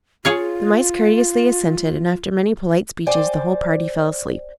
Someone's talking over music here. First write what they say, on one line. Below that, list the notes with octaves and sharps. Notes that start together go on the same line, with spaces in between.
The Mice courteously assented, and after many polite speeches the whole party fell asleep.
F4 G#4 C#5 F5
C5 D5 G5 G#5